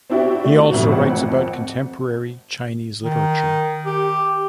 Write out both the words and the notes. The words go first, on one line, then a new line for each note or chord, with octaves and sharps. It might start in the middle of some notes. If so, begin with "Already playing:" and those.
He also writes about contemporary Chinese literature.
C4 D4 E4 F#4 G4
A3
F1 F2 A2 E3 F#4
G#1 F2 C4 F#5
D#3
G4